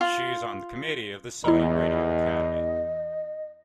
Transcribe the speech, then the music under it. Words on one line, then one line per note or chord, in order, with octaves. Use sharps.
She is on the committee of the Sony Radio Academy.
F4
E2 E4 D#5 A#5